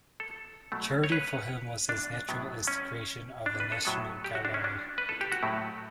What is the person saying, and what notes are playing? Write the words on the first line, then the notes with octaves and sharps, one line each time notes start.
Charity for him was as natural as the creation of a national gallery.
A4
B2 F#3 A3
C#5
B4
D4
A2 F#3 B3
C#4
D4
B4
A4
A2 F#3 B3
G4
F#4
D4
C#4
D4
B4
A4
G4
F#4
A2 F#3 A3 E4